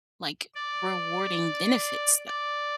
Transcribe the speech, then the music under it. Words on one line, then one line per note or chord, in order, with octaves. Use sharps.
like, rewarding benefits though.
D5
D5